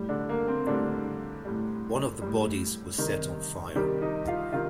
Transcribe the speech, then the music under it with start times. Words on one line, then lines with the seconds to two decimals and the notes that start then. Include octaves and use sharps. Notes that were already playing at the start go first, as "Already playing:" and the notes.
One of the bodies was set on fire.
Already playing: A2 G3
0.09 D3 D4
0.29 A#3
0.48 C4
0.67 A2 D3 G3 D4
1.45 A2 G3
2.22 A2 G3
2.98 C3 D#3 G3
3.75 C3 D#3 G3 G4
4.02 D#4 D#5
4.27 F4 F5
4.52 C3 D#3 F4 F5